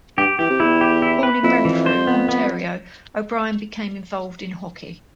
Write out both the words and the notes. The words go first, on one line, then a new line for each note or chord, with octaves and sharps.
Born in Renfrew, Ontario, O'Brien became involved in hockey.
G2 G4
E3 G4
C3
E2 E4
G4
E4
B4
F2 E4
E3
C5
B3
B3